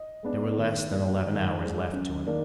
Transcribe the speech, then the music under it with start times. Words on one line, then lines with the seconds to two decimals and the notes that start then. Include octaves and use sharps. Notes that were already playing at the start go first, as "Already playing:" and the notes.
There were less than eleven hours left to him.
Already playing: D#5
0.23 G#3 B3 D4
0.57 D#3
0.91 A#3 D4
1.25 D#3 D#5
1.59 G#3 D4
1.93 F#2
2.27 D#3 A#3 D4